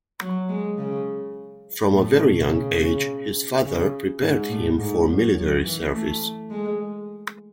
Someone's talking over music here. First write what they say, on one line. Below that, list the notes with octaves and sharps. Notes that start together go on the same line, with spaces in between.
From a very young age his father prepared him for military service.
F#3
G#3
C#3
A2
B2
C#3
C#3
C#3
G#2
A2
G#2
F#2
F#2
E3
A3
G#3